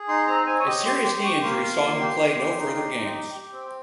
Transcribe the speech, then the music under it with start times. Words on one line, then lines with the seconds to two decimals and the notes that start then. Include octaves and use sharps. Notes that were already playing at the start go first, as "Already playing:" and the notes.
A serious knee injury saw him play no further games.
Already playing: G#4
0.08 D#4 C6
0.27 C4 A#5
0.46 C4 G#5
0.60 C#5
0.66 G4 D#5
0.85 G4 C6
1.04 G4 C6
1.23 G4 C#6
1.43 A#3 C6
1.61 F4
1.81 A#3
2.00 G4
2.19 G4
2.38 G4
2.57 D#4
2.76 G4
2.96 D#4
3.15 G4
3.34 G4
3.53 C4